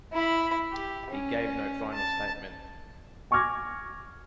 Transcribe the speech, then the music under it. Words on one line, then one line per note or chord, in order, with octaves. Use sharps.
He gave no final statement.
E4 B5
G4
C#4
A5
G#5 C#6 D6 F6 G#6 A#6